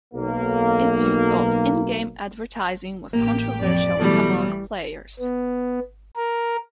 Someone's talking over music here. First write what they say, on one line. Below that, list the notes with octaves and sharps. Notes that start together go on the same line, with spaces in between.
Its use of in-game advertising was controversial among players.
B1 A#3
A1 A#3 G4
F2 D5
B2 E3 F#3 G3 A3 A4
B3
A#4